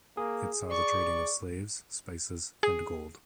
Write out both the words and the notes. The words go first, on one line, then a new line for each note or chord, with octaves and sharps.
It saw the trading of slaves, spices, and gold.
A#3 G#4
D5 C#6
G#4